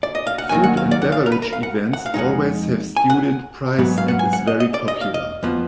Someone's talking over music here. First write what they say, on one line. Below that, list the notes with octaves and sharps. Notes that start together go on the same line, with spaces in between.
Food and beverage events always have student price and is very popular.
D5
D#5
F5
F#5
D#2 D#3 F#3 A#3 G#5
F#5
F5
D5
F#5
F5
A#4
B4
A#4
F5
F#5
F#5
F5
F2 D3 G#3 D#4 F#5
G#5
F#5
G#2 F#3 B3
F5
F#5
G#5
F#5
D#5
D#5
D5
D#5
F5
D#5
F2 F3 B3